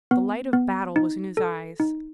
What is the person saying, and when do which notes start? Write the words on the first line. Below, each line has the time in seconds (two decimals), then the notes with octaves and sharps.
The light of battle was in his eyes.
0.11 B3
0.53 B3
0.96 D#4
1.37 A4
1.80 D#4